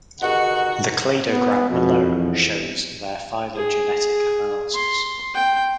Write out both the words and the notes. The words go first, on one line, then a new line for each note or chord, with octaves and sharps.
The cladogram below shows their phylogenetic analysis.
G2 B2 D#3 F#4 G#4 D#5 F#5 C#6
B3
F2 B2
E2
G#4
C6
G5